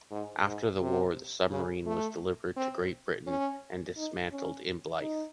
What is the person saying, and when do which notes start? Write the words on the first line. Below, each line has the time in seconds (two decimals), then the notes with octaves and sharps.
After the war, the submarine was delivered to Great Britain and dismantled in Blyth.
0.11 G#2
0.46 G#2
0.81 C3
1.51 C#3
1.86 A3
2.57 C4
3.27 C#4
3.97 D#4
4.31 C#4
5.01 D#4